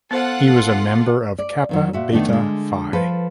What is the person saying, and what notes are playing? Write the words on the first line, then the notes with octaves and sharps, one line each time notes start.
He was a member of Kappa Beta Phi.
B3 F4 A4 C5 F#5
D5
F2 D#3 F#3
A#2 F#4 E5
D#3 A3 B3 D4
D3 G#3
F3 A4 B4